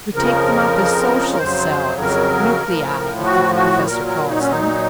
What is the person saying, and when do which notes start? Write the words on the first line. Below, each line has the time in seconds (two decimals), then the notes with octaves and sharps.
"We take them up as Social Cells, Nuclei, I think the professor calls them."
0.14 F2 C#3 F3 A#4
1.34 A#4
1.39 F2 C#3 F#3 C5
2.01 A#4
2.63 A2 F3
3.24 F#4
3.55 F#4
3.87 A#2 F#3 A#4
4.07 A#4
4.28 D#4
4.40 C#4
4.51 D#4